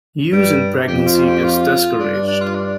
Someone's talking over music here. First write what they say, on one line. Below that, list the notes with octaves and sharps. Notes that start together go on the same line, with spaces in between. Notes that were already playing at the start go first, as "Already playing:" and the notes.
Use in pregnancy is discouraged.
G2 G3
F2 G4
F4
G4
F4
G2 D4
D4
D4
F4
D4